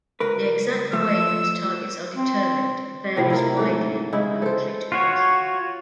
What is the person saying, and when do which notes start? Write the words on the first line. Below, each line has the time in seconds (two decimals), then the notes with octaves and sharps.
The exact way these targets are determined varies widely from country to country.
0.20 C#2 A#4 B4
0.93 F3 A3 E6
2.15 C4
3.16 A2 C3 F3 E4
3.30 E4 A#4
3.57 G#2 A3
4.13 C#3 G#3 E4 E5
4.42 A4 C5
4.92 F4 F#4 C#5